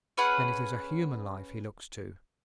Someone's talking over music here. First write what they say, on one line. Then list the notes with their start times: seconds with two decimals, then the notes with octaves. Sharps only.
Then it is a human life he looks to!
0.17 C#4 G#4 B4 F#5